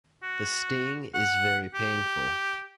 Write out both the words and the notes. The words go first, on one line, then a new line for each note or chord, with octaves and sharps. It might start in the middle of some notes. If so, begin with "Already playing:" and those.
The sting is very painful.
F#4
F#5
G4